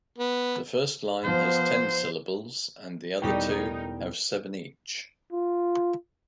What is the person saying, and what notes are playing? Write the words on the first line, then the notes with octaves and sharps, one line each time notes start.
The first line has ten syllables and the other two have seven each.
B3
F3 B3 C5
E1 A2 G3 D#4 A4 A#4 G5
F4